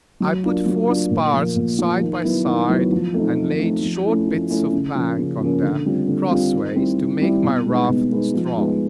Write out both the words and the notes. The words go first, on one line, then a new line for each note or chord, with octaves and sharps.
I put four spars side by side, and laid short bits of plank on them, cross ways, to make my raft strong.
F#3
A#3 D4 F4
F#3
A#3 D4 F4
A#2
F3 A#3
A#2
F3 A#3
D#3
F#3 B3 E4
D#3
F#3 B3 E4
F3
A3 C4 D#4
F3
A3 C4 D#4
F3
A3 C#4 E4
F3
A3 C#4 E4
C#3
F3 A#3 C#4
C#3
F3 A#3 C#4
D3
G3 C4 F4
D3
G3 C4 F4
D#3
G3 C4 E4
D#3
G3 C4 E4
B2
G#3 B3 D#4
B2
G#3 B3 D#4
F3
G#3 B3 D#4